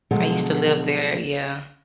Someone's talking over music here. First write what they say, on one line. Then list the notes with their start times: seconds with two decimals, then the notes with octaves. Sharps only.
I used to live there, yeah.
0.11 B2 D3 F3 F#3 G#3